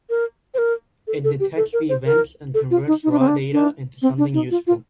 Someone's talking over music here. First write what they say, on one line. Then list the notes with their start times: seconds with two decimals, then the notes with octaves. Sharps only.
It detects the events and converts raw data into something useful.
0.10 A#4
0.54 C5
0.58 A#4
1.07 A4
1.24 A4
1.40 G4
1.57 A4
1.73 A#4
1.89 C5
2.06 A#4
2.54 A4
2.71 F4
2.87 D#4
3.04 D#4
3.11 D4
3.19 C4
3.27 D4
3.53 D4
4.02 C4
4.18 D4
4.34 D#4
4.51 F4
4.67 F4